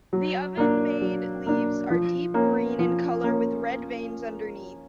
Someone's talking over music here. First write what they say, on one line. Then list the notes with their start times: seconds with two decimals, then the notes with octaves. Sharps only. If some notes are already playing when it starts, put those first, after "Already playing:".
The oven-made leaves are deep green in color with red veins underneath.
0.13 F#3
0.57 A#3 D4
1.01 F#3
1.46 A#3 D4
1.90 F3
2.34 A#3 C#4
2.79 F3
3.24 A#3 C#4